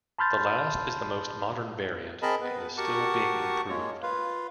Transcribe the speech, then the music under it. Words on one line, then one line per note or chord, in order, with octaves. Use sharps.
The last is the most modern variant and is still being improved.
A5 B5 C6 F6 G6 A6
C4 G#4 A#4 D#5 A5 B5
B3 B4
F#4 G4 A#4 F#5 A5 C#6
G#3 A#3 C#5
F4 B4 F5